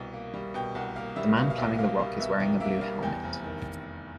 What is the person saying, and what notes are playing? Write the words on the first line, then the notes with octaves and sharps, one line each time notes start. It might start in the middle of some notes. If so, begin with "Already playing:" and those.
The man climbing the rock is wearing a blue helmet.
Already playing: C2 B2
A#3
G3
B2 G5
C2 F#5
A#3 F5
G3 E5
B2 F5
F5
C2 E5
A#3 F5
G3
B2 E5
C2
A#3 E5
G3 F5
E2 G5
F1
D#3